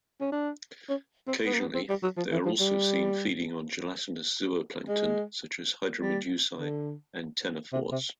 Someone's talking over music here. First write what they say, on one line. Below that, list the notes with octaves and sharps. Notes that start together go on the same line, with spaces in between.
Occasionally, they are also seen feeding on gelatinous zooplankton such as hydromedusae and ctenophores.
C#4
D4
C#4
C4
B3
A#3
B3
C4
G3
F#3
F3
E3
F3
G3
G#3
G3
D3
C3
C3